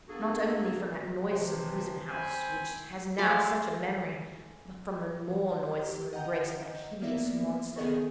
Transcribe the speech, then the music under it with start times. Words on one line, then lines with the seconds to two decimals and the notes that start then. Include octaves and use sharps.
Not only from that noisome prison-house, which has now such a memory, but from the more noisome embrace of that hideous monster.
0.08 A#3 B3 D4 F#4 G#4 A4
1.28 C3 E3 F3
2.07 C4 C5 E5 G5 G#5 B5
3.18 G#3 A3 D5 F5
5.85 G4
6.13 D#5 F#5 G5 A#5 G6
7.02 A#3 B3 D5 E5
7.76 D#3 B3 G#4 A4 C#6